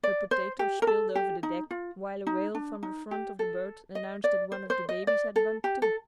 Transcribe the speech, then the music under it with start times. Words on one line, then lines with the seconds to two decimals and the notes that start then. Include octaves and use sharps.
Her potatoes spilled over the deck, while a wail from the front of the boat announced that one of the babies had bumped, too.
0.03 D5
0.31 C5
0.59 G4
0.82 A#4
0.87 A4
1.15 G4
1.43 D#4
1.71 F4
2.27 D#4
2.55 D4
2.83 D#4
3.11 G4
3.39 A4
3.95 D#5
4.24 D5
4.52 C5
4.70 C5
4.89 D#5
5.07 D5
5.36 A4
5.64 G4
5.82 A4